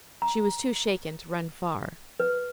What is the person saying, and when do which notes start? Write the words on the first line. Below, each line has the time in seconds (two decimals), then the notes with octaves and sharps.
She was too shaken to run far.
0.22 A#5
2.20 B4